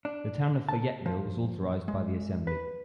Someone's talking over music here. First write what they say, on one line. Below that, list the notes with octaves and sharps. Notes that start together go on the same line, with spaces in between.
The town of Fayetteville was authorized by the assembly.
D4
A5
F3
G#3
B4